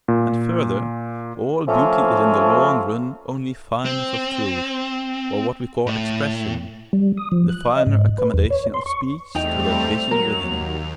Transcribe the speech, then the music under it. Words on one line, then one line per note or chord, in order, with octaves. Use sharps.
And further, all beauty is in the long run only fineness of truth, or what we call expression, the finer accommodation of speech to that vision within.
A#2
F3 A3 A#3 C4 C#4
C4
A2
G3
D#6
F3
F#6
D#5
G#2
B4
E2
C#5
C6
C#6
E2 G3 A3 C4 D#4 G5 F7
D#2 F#3 A#4